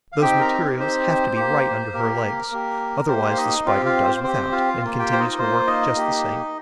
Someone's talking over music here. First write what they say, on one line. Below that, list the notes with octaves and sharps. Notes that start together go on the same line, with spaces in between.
Those materials have to be right under her legs; otherwise the Spider does without and continues her work just the same.
F5
C4 D#4 G4 G5
A#4 A#5
A#4
C4 D#4 G4 C5
A#3 G4
A#3 G4 A#4
A#3 G4
A#3 G4 C5
F5
D#4 D#5
C4 F4 G4 F5
F4 F5
C5
C4 G4 C5
F4 F5
A#3 F4
G4 G5
C5
D#4 D#5
A#3 F4 C5
D#4 D#5
A#3 G4